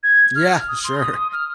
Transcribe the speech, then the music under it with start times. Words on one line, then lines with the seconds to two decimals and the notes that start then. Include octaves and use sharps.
Yeah, sure.
0.03 G#6
0.36 F6
0.68 D#6
0.84 C6
1.00 D#6
1.16 D#6
1.33 F6